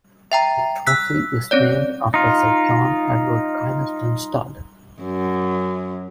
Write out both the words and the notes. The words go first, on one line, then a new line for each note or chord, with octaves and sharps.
The trophy is named after Sir John Edward Kynaston Studd.
E5 G5 A#5
E6 F#6 B6
C4 C#4 C#5 D5
D#4 F4
F#2